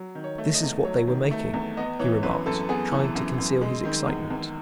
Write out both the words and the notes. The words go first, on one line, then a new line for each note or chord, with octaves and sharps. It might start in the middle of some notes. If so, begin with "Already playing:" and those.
"This is what they were making," he remarked, trying to conceal his excitement.
Already playing: F#3
D#3
C#5
A3
D#5
E2
F#3 C#5
D#3
A3
E2
B3 D#5
E3 C#5
F#2 B4
F#2 A4
B3 G#4
E3
F#2
F#2
G#3
D#3
E2
E2